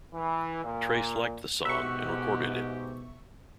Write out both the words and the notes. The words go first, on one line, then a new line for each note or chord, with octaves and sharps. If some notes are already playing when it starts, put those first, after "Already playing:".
Trace liked the song and recorded it.
E3
A#2
G#2 B2 F#4 G4 E5 C#6